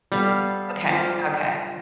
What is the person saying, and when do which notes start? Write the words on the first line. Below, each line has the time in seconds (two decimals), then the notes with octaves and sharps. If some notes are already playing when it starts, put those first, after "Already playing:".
Okay, okay.
0.12 G3 B3 A4 F5
0.87 F4 C5 D6